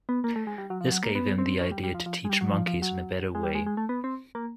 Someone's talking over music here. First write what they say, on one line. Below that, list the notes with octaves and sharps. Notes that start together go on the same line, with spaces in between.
This gave him the idea to teach monkeys in a better way.
B3
A#3
A3
G#3
G3
F#3
F3
F#3
A#3
B3
C4
C#4
G3
G3
F3
F3
G#3
G3
F#3
F3
F3
F#3
G#3
G3
G#3
G#3
A3
B3
C4
A#3